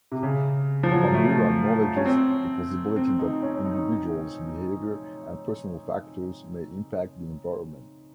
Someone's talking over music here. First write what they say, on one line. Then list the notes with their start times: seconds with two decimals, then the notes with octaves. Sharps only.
Bandura acknowledges the possibility that individual's behavior and personal factors may impact the environment.
0.12 C3
0.23 C#3
0.83 F3
0.91 F#3
1.14 A3
1.96 C#4
2.05 C4
2.96 C4
3.19 D#4
3.42 C#4
3.65 D#4